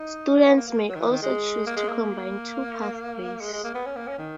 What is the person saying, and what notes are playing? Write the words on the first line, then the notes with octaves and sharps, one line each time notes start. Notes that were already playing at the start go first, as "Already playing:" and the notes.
Students may also choose to combine two pathways.
Already playing: D#4
C#4
B3
A#3
A#3
F#3
D#3
E3
D#3
G#3
A#3
G#3
A#3
G#3
G#3
A#3
B3
C#4
A#3
C#4
D#3